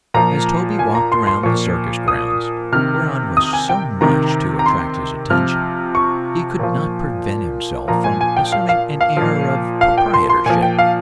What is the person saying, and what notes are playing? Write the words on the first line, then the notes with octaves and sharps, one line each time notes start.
As Toby walked around the circus grounds, whereon was so much to attract his attention, he could not prevent himself from assuming an air of proprietorship.
A#2 F3 A#5
G#5
A#5
C6
C6
A#2 F3 C#6
D#6
C3 D#3 F6
D#6
G#5
G5
C3 D#3 A#5
A#5
C6
C3 F3 F6
C#6
A#2 F3
A#2 F3 A#5
G#5
G#5
G5
F5
F5
F5
A#2 F3
F5
G5
C6
C6
A#2 F3 G#5
G5
F5